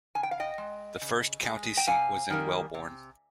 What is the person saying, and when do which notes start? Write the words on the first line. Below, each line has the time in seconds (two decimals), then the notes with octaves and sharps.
The first county seat was in Wellborn.
0.15 C#3 G#5
0.23 G5
0.31 F5
0.40 D#5 G5
0.58 G#3
1.01 C#3
1.45 G#3
1.77 G5
1.87 C3 F5 G#5
2.30 D#3 G3 A#3
2.74 C3